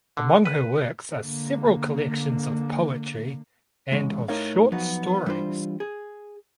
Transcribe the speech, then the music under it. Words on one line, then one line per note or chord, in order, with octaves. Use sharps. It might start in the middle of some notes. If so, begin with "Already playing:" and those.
Among her works are several collections of poetry and of short stories.
D3
B4
D3 A#3
E2 G#2 G#3 C#4
A2 D#4 A#4 C#5 F5
F3 F#3 B3 D#4 F#4
E3 G3 D4 E4 F4 C5
G#4